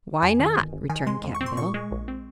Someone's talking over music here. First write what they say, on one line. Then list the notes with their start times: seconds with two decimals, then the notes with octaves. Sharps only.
"Why not?" returned Cap'n Bill.
0.22 F2 G#5
0.39 D#3
0.56 G1
0.73 G1
0.90 D#3 G#5
1.06 G#3 C6
1.24 F2
1.35 C#6
1.41 C4
1.46 C6
1.57 A#2 C#6
1.74 G#3
1.91 A#1
2.08 C4